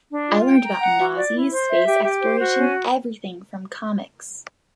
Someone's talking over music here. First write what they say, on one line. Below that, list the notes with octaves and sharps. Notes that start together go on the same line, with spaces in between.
I learned about Nazis, space exploration, everything from comics.
D4
F4
G5
A#5
F#5
F#4
D5
E4
C5
E5
G4
G4
C5
F#4
C#4